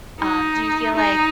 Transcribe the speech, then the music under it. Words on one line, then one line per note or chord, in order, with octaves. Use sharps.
um Do you feel like
D#4
D#4